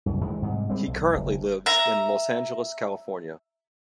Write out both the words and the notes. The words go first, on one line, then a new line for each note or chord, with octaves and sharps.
He currently lives in Los Angeles, California.
C2 F#2
D2 D#3 E3 G#3
G#2 C3 G3
G3 G#3 C4
B1
F#1
E5 A#5